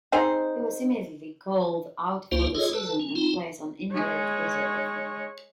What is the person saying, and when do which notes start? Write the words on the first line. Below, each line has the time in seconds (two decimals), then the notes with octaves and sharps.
He was immediately called out for the season and placed on injured reserve.
0.12 C4 D#4 G#4 C5
2.31 C#2 A#3 E4 F4 C5
2.55 F4 G#4 A4 C#5 D#5
2.73 A4 B4 A5
2.99 C#4
3.15 C4 D#4 F4
3.92 G#3 C#5